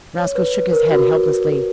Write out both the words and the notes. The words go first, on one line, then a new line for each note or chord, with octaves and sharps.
Roscoe shook his head helplessly.
C#5
B4
B4
A#4
F#4